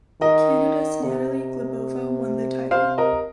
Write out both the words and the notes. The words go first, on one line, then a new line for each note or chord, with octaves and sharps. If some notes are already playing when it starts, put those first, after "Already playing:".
Canada's Natalie Glebova won the title.
D#3 A#4 D#5
C3
C3 C5 F5
A#4 D#5